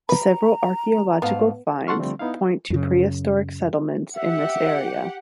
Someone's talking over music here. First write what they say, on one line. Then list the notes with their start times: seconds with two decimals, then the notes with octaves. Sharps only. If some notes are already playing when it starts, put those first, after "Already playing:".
Several archaeological finds point to prehistoric settlements in this area.
0.09 B4 A#5
1.22 G#2 B3 F5 A5
1.87 A4 F#5 A5 C6 C#6 F6
1.99 D3 F3 G3 A3 C4
2.19 B3 D#4 E4 F5
2.70 F#2 C#3
4.16 G4 E5 F#5